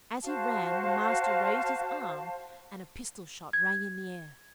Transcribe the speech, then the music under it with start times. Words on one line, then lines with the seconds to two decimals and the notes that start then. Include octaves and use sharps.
As he ran the master raised his arm and a pistol shot rang in the air.
0.24 F#4 C5 F5 A5
3.53 G#6